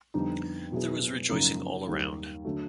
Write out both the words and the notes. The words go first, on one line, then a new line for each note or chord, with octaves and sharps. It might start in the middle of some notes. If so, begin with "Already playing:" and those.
There was rejoicing all around.
F2 D3 G3 B3 D#4
B2 F#3 B3 E4 G#4
F#2 C#3 F3 A#3 D#4
D#2 D#3 G3
D3 F#3 A3